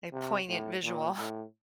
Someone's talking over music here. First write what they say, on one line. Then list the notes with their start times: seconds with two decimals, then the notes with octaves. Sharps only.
a poignant visual.
0.12 C3
0.48 A2
0.84 A#2
1.18 A2